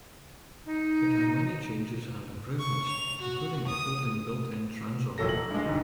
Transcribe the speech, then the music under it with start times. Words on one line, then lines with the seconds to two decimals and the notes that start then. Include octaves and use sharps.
It had many changes and improvements including a folding built-in transom.
0.65 D#4
2.59 C#6
2.89 F7
3.22 F#4
3.67 D#6
5.18 F1 A#2 F#3 A4 A#6
5.29 F#7
5.51 G2 G#3
5.65 F1 G#2 D3